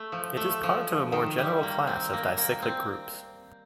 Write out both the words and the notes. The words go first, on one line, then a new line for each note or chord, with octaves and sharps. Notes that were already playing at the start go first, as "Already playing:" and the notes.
It is a part of more general class of dicyclic groups.
Already playing: A3
F3
A3
F3
D#3
G3
A#3
C4
A#3
A#3
C4